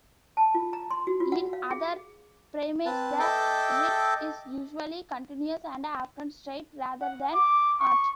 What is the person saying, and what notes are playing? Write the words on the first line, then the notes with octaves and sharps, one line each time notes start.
In other primates, the ridge is usually continuous and often straight rather than arched.
A5
F4
A#5
C6
F#4
F4
F#5
F5
G#4
C4 B4 A5
A4 D#5 E5 G5 A5 D6
F#5
D6
C#6